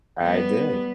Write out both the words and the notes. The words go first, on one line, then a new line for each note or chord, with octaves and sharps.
I did.
G3 B3 B4